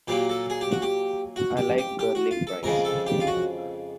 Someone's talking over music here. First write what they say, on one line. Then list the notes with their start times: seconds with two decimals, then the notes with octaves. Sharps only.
I like curly fries.
0.08 A#2 F#3 A#3 G4
0.29 A4
0.50 G#4
0.61 G4
0.72 F#4
0.82 G4
1.36 F#4
1.57 G4
1.78 G4
1.99 G4
2.15 F#4
2.31 F4
2.47 A4
2.63 F2 C#3 F3 G#3 A#4
2.85 A4
3.07 G4
3.20 F4
3.27 F#4